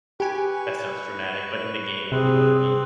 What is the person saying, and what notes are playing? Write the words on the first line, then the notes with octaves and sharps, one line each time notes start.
that sounds dramatic, but in the game, you know what I mean.
G4 B4 G#5 C#6
C3 C4 G#4 B4